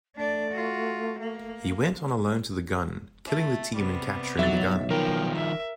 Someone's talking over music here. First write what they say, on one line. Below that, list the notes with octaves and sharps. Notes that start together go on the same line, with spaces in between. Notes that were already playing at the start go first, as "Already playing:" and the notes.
He went on alone to the gun, killing the team and capturing the gun.
A3 D4 D5
F4 F#4
A#3
A3
C3 G3 B3
B1 F#3 E5 A6
D#3 F3 A#4 G5
E5